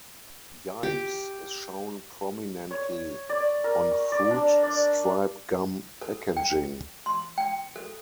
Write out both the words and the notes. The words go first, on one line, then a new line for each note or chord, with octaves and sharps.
Yipes is shown prominently on Fruit Stripe gum packaging.
G4
C#5
D5
A#4
C#6
D5
D4
D5
A4
G5
C6
G5
A4